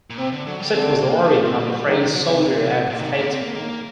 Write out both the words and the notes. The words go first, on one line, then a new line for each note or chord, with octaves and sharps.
Such was the origin of the phrase "soldier and statesman".
A#2
C3 C4
D3
D3 F#3
G3
D3 C4
A#3
G3
A3
C4
D3 A#3
G3
D#3 F#3
D#3
D3 F#3
C3
D#3
F#3
A#2
C3 D#3
D3
A#3
D3 C4
A#3
D#3 A#3
A#3